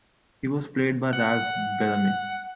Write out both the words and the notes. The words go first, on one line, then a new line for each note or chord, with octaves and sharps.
He was played by Ralph Bellamy.
F#5